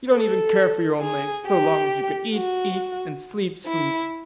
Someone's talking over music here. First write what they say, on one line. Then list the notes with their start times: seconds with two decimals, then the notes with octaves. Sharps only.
You don't even care for your own legs--so long as you can eat, eat, and sleep, sleep.
0.12 A4
1.00 G#4
1.46 G4
2.34 F#4
3.66 E4